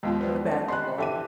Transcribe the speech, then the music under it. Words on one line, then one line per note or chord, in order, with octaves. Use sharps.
For the bad people.
D#2 F3 G#3 B3 F4 G5
B3 C5 D5
A3 C#4
B3 G4 D#5 G#5 C6 F#6
D3 E3 G4 A4 E5 D#7